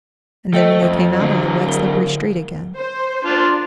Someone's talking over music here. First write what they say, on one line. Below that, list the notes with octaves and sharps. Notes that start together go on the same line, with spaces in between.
And then they came out on the wet, slippery street again.
A3 C5 D#5 G5
F2
D3 F#3
A#4
C5
D4 F4